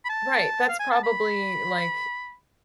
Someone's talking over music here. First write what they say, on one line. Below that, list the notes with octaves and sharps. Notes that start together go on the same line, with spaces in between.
Right, that's probably, like,
B5
A5
F5
G#5
A5
B5